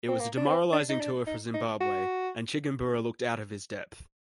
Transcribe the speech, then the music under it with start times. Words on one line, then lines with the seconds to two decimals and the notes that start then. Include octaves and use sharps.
It was a demoralising tour for Zimbabwe and Chigumbura looked out of his depth.
0.08 C4
0.20 A#3
0.37 D4
0.47 C4
0.73 D4
0.89 D#4
1.00 D4
1.27 D#4
1.54 D#4
1.81 F#4